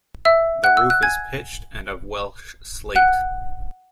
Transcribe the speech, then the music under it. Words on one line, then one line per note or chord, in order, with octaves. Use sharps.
The roof is pitched and of Welsh slate.
E5 E6
F#5 F#6
E6
F#6
G#5 G#6
F#5 F#6